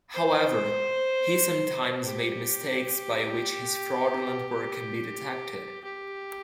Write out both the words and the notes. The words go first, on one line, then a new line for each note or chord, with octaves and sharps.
However, he sometimes made mistakes by which his fraudulent work can be detected.
C5
G4
G4